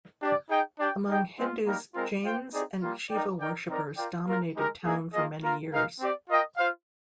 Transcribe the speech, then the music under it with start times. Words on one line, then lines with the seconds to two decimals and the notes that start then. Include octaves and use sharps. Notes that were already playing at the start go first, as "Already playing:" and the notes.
Among Hindus, Jains and Shiva worshipers dominated town for many years.
0.22 D4 G4 D5
0.50 D#4 G#4 D#5 G5
0.79 D4 G4 D5 G5
1.08 D#4 G#4 D#5 G5
1.37 G#3 C4 F4
1.65 G3 A#3 D#4 A#4
1.94 G#3 C4 F4 A#4
2.24 F4 C5 G5
2.52 C4 D#4 G#4 D5
2.82 G3 A#3 F4
3.11 D#4 A#4 D5 G5
3.40 D#4 A#4 D5 G5
3.68 C4 D#4 A#4 D5
3.97 F4 A#4 D5 G5
4.26 A#3 F4 A#4
4.56 G#3 D#4 G4 A#4
4.84 A#3 D#4 G#4
5.13 A#3 F4 G#4 D#5
5.42 A#3 F4 A#4
5.72 G#3 D#4 A#4 F5
6.00 C4 G4 D5
6.28 F4 A#4 D#5 G5
6.57 F4 C5 F5